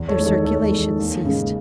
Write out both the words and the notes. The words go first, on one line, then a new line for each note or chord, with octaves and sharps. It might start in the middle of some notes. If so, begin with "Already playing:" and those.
There circulation ceased.
Already playing: E2
A4 C#5
D#3 G#3
A4 C#5
E2 A4 C#5
D#3 G#3
D#2
C#3 G#3